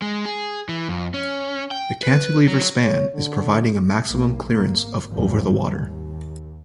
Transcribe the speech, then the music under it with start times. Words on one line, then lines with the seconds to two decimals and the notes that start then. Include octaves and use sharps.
The cantilever span is providing a maximum clearance of over the water.
0.02 G#3
0.25 G#4
0.69 E3
0.89 F2
1.14 C#4
1.71 G5
2.03 B4
2.48 F#3
2.83 C#5
3.14 D3
4.06 B1 A#3
4.46 G#1 A#3
5.09 G#1 E2 E3 F3 G3
5.60 D#2